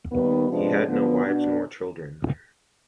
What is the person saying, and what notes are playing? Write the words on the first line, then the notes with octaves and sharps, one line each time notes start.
He had no wives nor children.
D#2 D#3 G3 B3
C3 F3 G#3 B3 D4
D3 F3 B3
B2 B3 D4